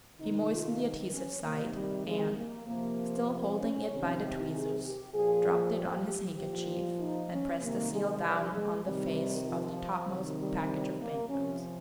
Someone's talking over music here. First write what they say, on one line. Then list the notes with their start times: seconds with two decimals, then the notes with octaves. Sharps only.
He moistened the adhesive side, and, still holding it by the tweezers, dropped it on his handkerchief and pressed the seal down on the face of the topmost package of banknotes.
0.19 C3 D#3 D#4
0.51 F4
1.13 C#4
1.43 C3 D#3 A#3
1.74 G3
2.05 G#3
2.35 A#3
2.66 C3 F3 A#3
3.28 C4
3.58 C#4
3.90 C3 D#3
4.21 G4
4.51 G#4
4.83 G4
5.13 A#2 F3 G#4
5.74 G4
6.06 G4
6.36 A#2 F3 G4
6.98 D#4
7.30 C#4
7.60 C3 D#3 A#3
7.91 G#3
8.21 G3
8.52 G#3
8.83 C3 D#3 G3
9.44 F3
10.06 C3 D#3
10.37 G3
10.99 A#3
11.30 C3 F3 C#4